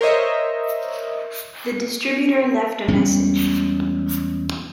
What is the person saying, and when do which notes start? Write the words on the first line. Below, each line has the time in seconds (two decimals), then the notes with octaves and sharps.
The distributor left a message.
0.01 A#4 C5 C#5 D#5 E5
2.88 E2 G3 G#3 C#4